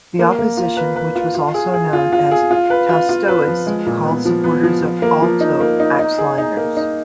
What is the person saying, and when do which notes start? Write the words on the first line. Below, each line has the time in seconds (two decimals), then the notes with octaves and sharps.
The opposition, which was also known as "taistoists", called supporters of Aalto "axe liners".
0.19 A#3
0.39 A#3
0.57 F4
0.77 B4
0.96 B4
1.15 F4
1.35 F4
1.54 G#4
1.73 G#4
1.93 F4
2.12 F4
2.31 G#4
2.51 F4
2.70 B4
2.89 F4
3.09 F4
3.28 B4
3.47 F3
3.67 G#3
3.86 A#2
4.05 B3
4.25 F3
4.44 B3
4.63 F3
4.83 F3
5.02 A#3
5.22 F3
5.41 D#4
5.60 A#3
5.80 D#4
5.99 D#4
6.18 G#4
6.38 D#4
6.57 A#3
6.77 D#4